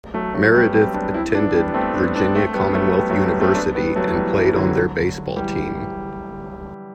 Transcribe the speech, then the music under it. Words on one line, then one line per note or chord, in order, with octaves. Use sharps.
Meredith attended Virginia Commonwealth University and played on their baseball team.
F#3 A3
F#3 A3
G3 B3
A3 C4
B3 D4
C4 E4
B3 D4
G3 B3
B3
A3 C4
B3 D4
B3 D4
A3 C4
G3 B3
F#3 A3
G3 B3
F#3 A3
G3 B3
A3 C4
B3 D4
G3 B3
F#3 A3
E3 G3
E3
D3 F#3
E3 G3